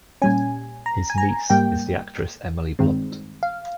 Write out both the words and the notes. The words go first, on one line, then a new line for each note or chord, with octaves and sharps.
His niece is the actress Emily Blunt.
A#2 G3 C#4 G#5
A#5
G#5
A#5
G#2 G3 A#3 G5
G2 D#3 G#3 C4
F5